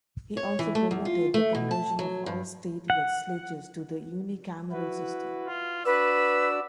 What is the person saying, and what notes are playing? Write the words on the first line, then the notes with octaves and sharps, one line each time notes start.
He also promoted the conversion of all state legislatures to the unicameral system.
C#5
E3
A3
E2
F4
A3
B2
A5
F#3
G2
F#5
E4 F#4 B4
F4
D4 F#4 B4 D5 E6